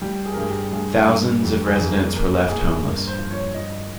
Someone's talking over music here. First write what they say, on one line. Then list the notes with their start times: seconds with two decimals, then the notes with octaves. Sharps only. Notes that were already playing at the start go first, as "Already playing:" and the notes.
Thousands of residents were left homeless.
0.02 G3 G4
0.26 G#4
0.32 A#4
0.37 G2 G#4
0.49 G4
0.72 G2 G#4
1.08 G2
1.42 F2 G4
1.66 G#4
1.78 F2
1.90 A#4
2.13 A#2 A#4
2.49 A#2 G#4
2.83 G2 A#4
3.08 C5
3.18 F3
3.31 C#5
3.54 F3 D#5